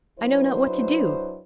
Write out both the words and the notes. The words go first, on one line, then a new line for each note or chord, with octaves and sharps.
I know not what to do.
F#3 D4 E4 B4 C5